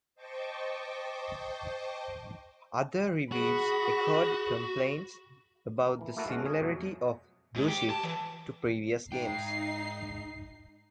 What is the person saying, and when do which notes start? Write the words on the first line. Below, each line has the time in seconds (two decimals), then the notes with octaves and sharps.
Other reviews echoed complaints about the similarity of "Blue Shift" to previous games.
0.15 C5 D#5 G5 A5 C#6 D6
3.32 F#4 G#4 B5
5.87 A#4
6.01 E3
6.17 A3 A#3 E4 F#4 A4 A#4
6.28 G#3 C#4 F#4
6.45 C#4 G#4
6.61 F2 B2 F#3 A3
7.56 G#2
7.68 G4
7.90 A5
8.03 E3
9.12 G#2 D#4 G5 C7